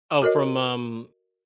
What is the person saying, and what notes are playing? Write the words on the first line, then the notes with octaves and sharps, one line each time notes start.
Oh, from, um
F#4 A4 A#4 C#5 D#5